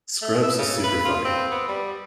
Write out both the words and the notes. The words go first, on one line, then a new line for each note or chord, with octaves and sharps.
Scrubs is super funny,
A3
E5
C#3
B4
F4
C4
B3
G3